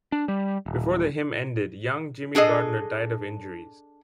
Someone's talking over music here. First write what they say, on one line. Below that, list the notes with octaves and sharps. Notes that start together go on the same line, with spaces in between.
Before the hymn ended, young Jimmy Gardner died of injuries.
D4
G3
D#1
D4 G#4 A4 D#5